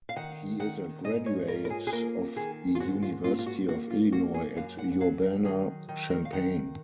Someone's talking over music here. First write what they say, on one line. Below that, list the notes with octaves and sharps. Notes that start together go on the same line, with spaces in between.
He is a graduate of the University of Illinois at Urbana-Champaign.
F5
D#3 F#5
D#3 F#5
G#2 D#5
C#5
F4 A#4
A#4
G#4
G#4
A#3 A#4
D#3 G#4
F4
G#2 F#4
F4
A#3 F4
F4
F#4
A#3 F#4
F4
A#3 F#4
G#4
F#2 F5
F#5
F#5
F#3 F5
A#4
D#3 G#4
D#3
A#4
F5
D#3 F#5